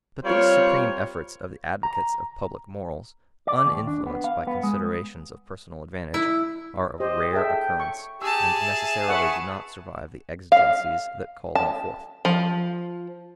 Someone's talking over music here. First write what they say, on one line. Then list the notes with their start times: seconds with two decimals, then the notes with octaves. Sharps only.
But these supreme efforts of the advocates of public morals, uninfluenced by considerations of personal advantage, are of rare occurrence, and necessarily do not survive the exigencies that call them forth.
0.24 G3 C4 F4 A#4 C5 C#5
1.83 A#5
3.47 D5
3.66 D#2
3.87 D4
4.07 B3
4.24 F5
4.47 B3
4.63 G#3
6.14 E4
7.00 G4 C5 D#5
7.33 G#4 A4 E5 G5
7.80 C#6
8.22 G4 G#4 A5 E6
8.61 E5
9.08 B4 E5 F#5 C#6
10.52 F5
11.55 A5
12.25 F3